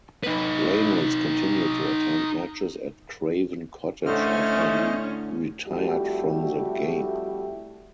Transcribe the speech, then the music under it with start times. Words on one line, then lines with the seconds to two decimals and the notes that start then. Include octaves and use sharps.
Reynolds continued to attend matches at Craven Cottage after he retired from the game.
0.23 D#4 B4
4.06 A2 D3 A3 C#4 C5 D#5 F6
5.67 F2 G3 A3 E4 F#4 G4